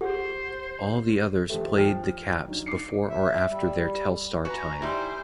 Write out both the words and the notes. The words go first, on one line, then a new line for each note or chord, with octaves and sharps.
All the others played the caps before or after their Telstar time.
G4 G#4 C5 F#5
F3 A3 G4 C5
F3 G5 F6
F#3 D4 D#4
D6 C7 C#7
E5
G3
F#4 B4 G#5 A#5
G3 D#4 E4 G4 C5 G#5